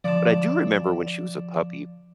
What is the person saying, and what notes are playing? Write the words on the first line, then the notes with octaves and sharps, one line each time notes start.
but I do remember when she was a puppy,
D3 F3 D5 A5